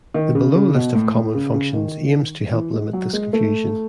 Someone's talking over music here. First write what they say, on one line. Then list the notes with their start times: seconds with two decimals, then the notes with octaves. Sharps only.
The below list of common functions aims to help limit this confusion.
0.14 D#3
0.35 C#3
0.55 C#3
0.74 B2
0.95 A2
1.15 A2
1.35 C#3
1.54 C#3
1.74 D#3
2.54 E3
2.74 G#3
2.93 F#3
3.13 G#3
3.33 A3